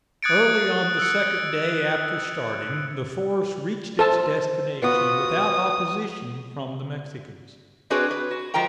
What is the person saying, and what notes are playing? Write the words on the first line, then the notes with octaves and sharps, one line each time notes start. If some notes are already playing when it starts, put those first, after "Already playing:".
Early on the second day after starting the force reached its destination, without opposition from the Mexicans.
D#6 F#6 G#6 A6 C#7 D7
E6 C#7
A4 C5 A5
B3 F4 F#4 D#6
C4 D4 F#4 G#4 B4 C#5
B4
F#4
F3 G#3 A#4 G5 A#5